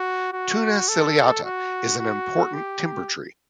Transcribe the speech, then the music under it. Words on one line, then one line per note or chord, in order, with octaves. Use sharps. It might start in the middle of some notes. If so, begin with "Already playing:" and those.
"Toona ciliata" is an important timber tree.
Already playing: F#4
F#4
A4
F#4
F#4
G4